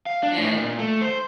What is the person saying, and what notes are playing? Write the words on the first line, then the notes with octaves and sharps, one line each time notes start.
And Yeah.
F5
D4
A2
A#2
A3
C5